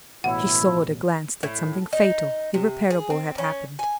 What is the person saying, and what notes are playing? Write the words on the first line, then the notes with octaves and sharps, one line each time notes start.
She saw at a glance that something fatal, irreparable, had happened.
A1 B2 E4 C#5 F#5
A2
D#4
C3
G#4
C4
C#4
G#5